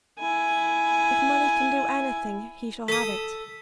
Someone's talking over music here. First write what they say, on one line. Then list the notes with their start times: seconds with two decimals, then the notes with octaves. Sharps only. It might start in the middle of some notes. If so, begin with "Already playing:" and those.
"If money can do anything, he shall have it."
0.19 E4 G#5
2.88 A4 D#6 B6